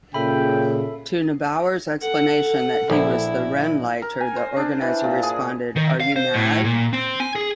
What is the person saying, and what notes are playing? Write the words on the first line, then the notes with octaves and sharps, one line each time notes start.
To Neubauer's explanation that he was the "Rennleiter", the organizer responded: 'Are you mad?
A#2 C#3 A4 E5 G5 B5
A4 F#5
A#1 E4
A#4
G#5
C5
D4
E3
A#2
G#4
D#3
F5
C5
A2
A#2
C4
G#5
G#4